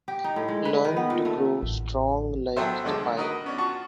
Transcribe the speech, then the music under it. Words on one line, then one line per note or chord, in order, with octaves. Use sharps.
Learn to grow strong like the pine.
G4
D#4
A2
G#3
B4
D#3
B3
A#2
A3
A1
F#3 B3 G4 A4 C5 E5
C2 D3 G#3 A4 D6 E6
D#4 F#4 A#4 B4 D#5
B3 C#4 D4
F4 F#4 A5 C#6